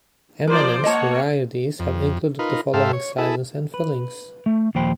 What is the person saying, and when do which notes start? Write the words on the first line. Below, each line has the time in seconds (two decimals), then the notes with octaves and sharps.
M and M's varieties have included the following sizes and fillings.
0.47 F3 A#4 C5 D5
0.84 A#3 C#5 D#5 F#5 A5
1.80 F2
2.39 D#4 F4 A#4 B4
2.74 G#2 A4 C5 E5 F5 G5
2.93 C#5
3.18 E4 G#4 A4
3.74 B4
4.46 A3
4.75 D#2 A#2 F3 C5 G5 B5